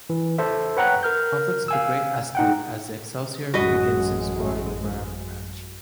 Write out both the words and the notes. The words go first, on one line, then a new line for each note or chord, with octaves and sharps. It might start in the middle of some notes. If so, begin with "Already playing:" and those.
Conflicts with the Grey escalate as the "Excelsior" begins to explore the Briar Patch.
E3
A4 C5 E5
B4 C#5 F#5 G5 A#5 F#6
A#4 F6 G6
F5 G#5 E6
D#4 F#5 G5
A1 F#2 G#3 F#4 B4 D#5